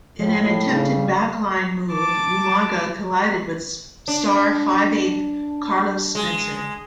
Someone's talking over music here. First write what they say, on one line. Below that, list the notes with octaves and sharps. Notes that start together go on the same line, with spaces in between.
In an attempted back line move, Umaga collided with star Five-Eighth Carlos Spencer.
A2 F3
C#3 G3
A5 D6
D4
G#3